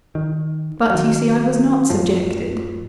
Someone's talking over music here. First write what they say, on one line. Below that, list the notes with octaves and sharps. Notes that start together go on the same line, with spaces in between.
But you see I was not subjected.
D#3
D#3 F#3
F#2 A2 F3